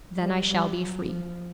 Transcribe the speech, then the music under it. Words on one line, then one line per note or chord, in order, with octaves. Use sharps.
'Then I shall be free.'
G3
G3
F#3
F3